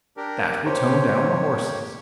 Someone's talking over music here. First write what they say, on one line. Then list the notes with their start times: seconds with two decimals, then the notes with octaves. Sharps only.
That will tone down the horses.
0.17 D4 G4 A#4
0.65 A#3 G4 C5 C#5